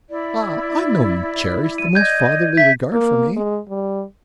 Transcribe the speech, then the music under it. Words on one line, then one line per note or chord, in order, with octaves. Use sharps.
I know you cherish the most fatherly regard for me.
E4 D5
D#7
D5 D#5 G6 G#6
E5 B6
A#3
G#3
G3